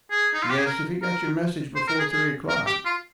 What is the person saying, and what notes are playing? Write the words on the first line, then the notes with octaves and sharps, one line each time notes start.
"Yes, if he got your message before three o'clock."
G#4
D#4
F4
G4
G#4
A#4
A#4
C5
A#4
G#4
G#4
A#4
G4
F4